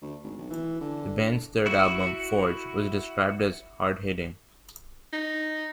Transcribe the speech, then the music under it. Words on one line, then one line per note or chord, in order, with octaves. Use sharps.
The band's third album, "Forge", was described as "hard-hitting".
D2
G#1
B1
E3
D3
E4 F#4
D#4